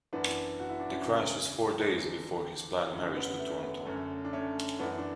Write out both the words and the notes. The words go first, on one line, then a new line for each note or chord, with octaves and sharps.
The crash was four days before his planned marriage to Thornton.
F#2 E3 B3 D4
F#4
E4
D4
C#4 E4
E2 C#3 E3
E2 D3
F#2 D3 A3 C#4
B3
A3
B3
F#2 D3 A3 C#4
D4
A3 C#4
F#2 E3 B3 D4
D4